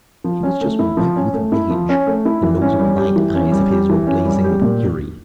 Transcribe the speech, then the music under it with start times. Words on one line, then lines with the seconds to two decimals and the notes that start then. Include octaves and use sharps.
He was just white with rage, and those light eyes of his were blazing with fury.
0.24 F3
0.43 C#4
0.61 A3
0.79 E4
0.97 F3
1.16 C#4
1.34 A3
1.52 E4
1.70 F3
1.89 C#4
2.07 A3
2.25 E4
2.43 E3
2.62 C#4
2.79 G3
2.97 G4
3.16 E3
3.35 C#4
3.52 G3
3.71 G4
3.90 E3
4.07 C#4
4.25 G3
4.44 G4
4.62 A#2